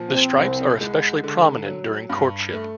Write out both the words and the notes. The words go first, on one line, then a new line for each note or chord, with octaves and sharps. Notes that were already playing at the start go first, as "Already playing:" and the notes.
The stripes are especially prominent during courtship.
Already playing: A#2 F3
C4
C2
G#3
D3
F#3
G2
A3